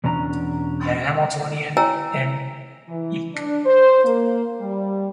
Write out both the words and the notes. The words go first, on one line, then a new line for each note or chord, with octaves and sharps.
The Hamiltonian in Eq.
E2 B2 C#4 D4 A#5
E4 C#5 G5 G#5 A#5 E6
E3
D4
C5
A#3
G3